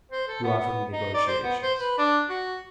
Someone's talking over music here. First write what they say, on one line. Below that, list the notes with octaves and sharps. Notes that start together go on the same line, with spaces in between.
You offer me negotiations!
C5
A4
B3
B3
D#4
D5
C5
B3
C5
B4
D4
F#4